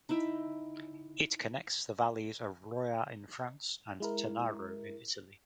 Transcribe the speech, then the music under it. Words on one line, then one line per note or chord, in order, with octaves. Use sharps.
It connects the valleys of Roya in France and Tanaro in Italy.
D#4 E4 E5 G5
G#3 E4 A#4